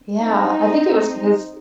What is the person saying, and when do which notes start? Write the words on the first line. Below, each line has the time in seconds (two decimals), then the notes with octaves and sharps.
Yeah, I think it was because, eh
0.20 C4 D#4